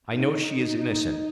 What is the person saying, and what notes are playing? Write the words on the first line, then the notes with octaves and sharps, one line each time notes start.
I know she is innocent.
D#4